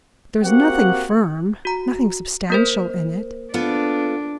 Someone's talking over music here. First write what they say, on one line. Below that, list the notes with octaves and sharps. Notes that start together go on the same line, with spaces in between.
There was nothing firm, nothing substantial in it.
A#3 C4 F#4 G4 F#5
F#4 A#5
A#3 A#4 C5
B3 D4 F4 A4